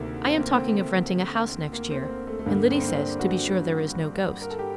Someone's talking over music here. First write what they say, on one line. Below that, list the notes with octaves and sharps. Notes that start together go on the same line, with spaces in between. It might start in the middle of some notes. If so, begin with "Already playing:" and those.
I am talking of renting a house next year, and Liddy says to be sure there is no ghost.
Already playing: D2 C3 D#3 A3 A#3
C4
A#3
C4
A#3
C4
A#3
A3
A3
G2 D3 A#3
C4
A#3
C4
D4
F#4
A#4
A4
G4